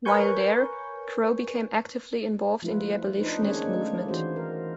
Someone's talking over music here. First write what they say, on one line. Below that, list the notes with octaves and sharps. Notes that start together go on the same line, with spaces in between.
While there, Crowe became actively involved in the abolitionist movement.
A#4 B4 C#5 G#5 C#6 G6
F3 A3 E4 F4 B4
D4 D#4 B4 C5
D#3 G#3 A#3 C#4 D4 C#5
A3 D4
E3 D#4 E4 F#4 C5
A#4